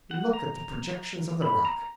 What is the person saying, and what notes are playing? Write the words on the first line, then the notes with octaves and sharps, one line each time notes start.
Look at the projections of the rock.
F#5
A#5
B5
A#5